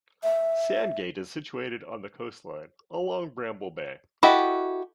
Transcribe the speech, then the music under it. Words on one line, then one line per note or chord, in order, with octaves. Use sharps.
Sandgate is situated on the coastline, along Bramble Bay.
E5
E4 F#4 G4 A4 D#5